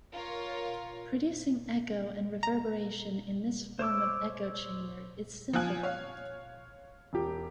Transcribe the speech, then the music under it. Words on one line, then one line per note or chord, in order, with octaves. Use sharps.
Producing echo and reverberation in this form of echo chamber is simple.
F4 A#4 C#5
A#5
C5 C#5 D6 E6
F3 F4 G#5 F#6
C#5 F5
E1 G4